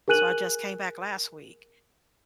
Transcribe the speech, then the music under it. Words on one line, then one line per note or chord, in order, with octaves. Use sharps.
So I just came back last week,
G#4 A#4 G#5 F#6 D#7 F#7